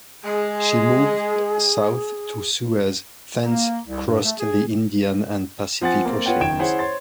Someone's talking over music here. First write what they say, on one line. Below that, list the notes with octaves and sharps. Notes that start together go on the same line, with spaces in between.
She moved south to Suez, thence crossed the Indian and Pacific Oceans.
G#3 G#4
A#3
C2
G2
A3
G#4
F3 C4 F#5 G#5 A6
A#3 C4
B3 F4 C#5 F#5 G5
F#1 D#3 G5 G#6 D7 E7
E4 G#4 C5 C#5 E5 F#5
C5 C#5 C6 A6